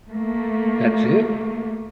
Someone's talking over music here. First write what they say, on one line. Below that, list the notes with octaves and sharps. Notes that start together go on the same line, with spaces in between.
That's it?
A3 A#3